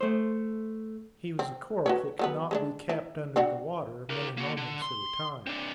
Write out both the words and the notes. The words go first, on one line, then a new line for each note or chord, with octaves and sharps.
He was a cork that could not be kept under the water many moments at a time.
A3 C5
C4
F#4 B4 C#5
F#3 B3 B4
G#3 C#4 D4
E4
C4 D4 F#4
G4 A#4
A#3 F#4
D3
C6
C4 D4